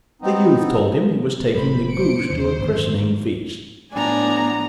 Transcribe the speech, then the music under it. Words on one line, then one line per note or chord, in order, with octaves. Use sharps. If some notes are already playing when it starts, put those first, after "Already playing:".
The youth told him he was taking the goose to a christening feast.
B3 C4 D#4
F1 A2 G3 C5 B5
C5 C#7 D7
D#2 D3 C5
G#1 F#2 D3
A2 B3 D4 G#5 A#5